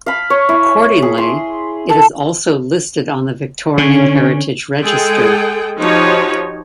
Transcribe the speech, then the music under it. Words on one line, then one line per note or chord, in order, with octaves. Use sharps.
Accordingly, it is also listed on the Victorian Heritage Register.
F5 B5
C#5
E4
G#4
C6
A4 A5
D3 C#4
G#3 G#4 A4 G5
F3 D#4 F#4 G4 C#5